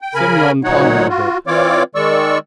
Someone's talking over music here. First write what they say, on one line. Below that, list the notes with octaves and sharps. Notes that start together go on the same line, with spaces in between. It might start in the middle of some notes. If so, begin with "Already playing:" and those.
Semyon pondered a bit.
G5
C#3 A#4 G#5 B5
D2 A#2 F#3 D#4 C#5 F#5
F4 F#4
E3 C4 F4 C#5 D5 D6
D#3 G#3 D5 C#6 E6